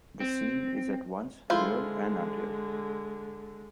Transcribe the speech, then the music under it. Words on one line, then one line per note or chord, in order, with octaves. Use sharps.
The scene is at once real and unreal.
C4
D3 G#3 E4 F4 C5